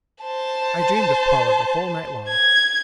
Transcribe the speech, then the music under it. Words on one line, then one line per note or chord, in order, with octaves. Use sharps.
I dreamed of Paula the whole night long.
C5 A5
G#6